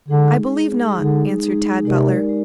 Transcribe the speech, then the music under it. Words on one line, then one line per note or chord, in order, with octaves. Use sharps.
"I believe not," answered Tad Butler.
D3 G#3 D#4 G#4
G#3 D#4 G#4
D3 G#3 D#4 G#4
G#3 D#4 G#4
C3 G#3 D#4 G4 A#4 D5
G#3